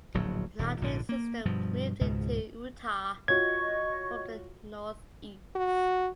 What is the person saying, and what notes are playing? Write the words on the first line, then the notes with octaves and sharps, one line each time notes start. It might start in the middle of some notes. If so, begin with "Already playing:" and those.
An Arctic system moved into Utah from the northeast.
D1 A#1 F#3
D#1 D#2
A#1 G#2 D3
A#3
G2 B2 F3
C#2 G#2 B2
F4 F#4 C#5 D#5 C#6 G#6
F#4